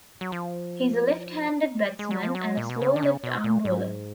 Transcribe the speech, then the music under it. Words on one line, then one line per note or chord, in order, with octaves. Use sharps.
He is a left-handed batsman and a slow left-arm bowler.
F#3
F3
G#3
F#3
F3
F#3
A#2
B2
C#3
D#3
C#3
B2
A#2
G#2